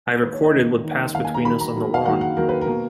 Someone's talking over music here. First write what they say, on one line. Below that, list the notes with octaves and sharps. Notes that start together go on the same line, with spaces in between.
I recorded what passed between us on the lawn.
D#3 A#3 B4
C#5
D#5
D#3 A#3
D#3 A#3
D#3 A#3 F5
G#5
A#5
D#3 F#3 A#3 B5
A#5
D#3 F#3 A#3
F5
D#3 F#3 A#3 F#5
F#5
D#3 F#3 A#3 A#4
B4
A#4
B2 A#3